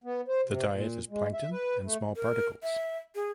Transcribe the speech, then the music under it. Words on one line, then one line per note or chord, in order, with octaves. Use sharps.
The diet is plankton and small particles.
B3
C5
C3
A#2
G#3
E5
B4
A3
A#4
E5
G#4